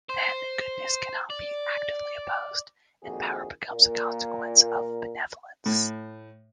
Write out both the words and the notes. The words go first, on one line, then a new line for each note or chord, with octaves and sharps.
Then, goodness cannot be actively opposed, and power becomes a consequence of benevolence.
C5
D5
A#1 F2 D#3 A#3 F#4 G#4
A#2 A#4
A2